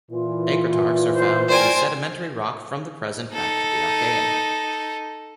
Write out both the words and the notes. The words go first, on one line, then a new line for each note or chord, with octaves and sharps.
Acritarchs are found in sedimentary rocks from the present back into the Archean.
A#2 E3 F4
C5
A#4 C5 D5 G5 G#5
D#4 A4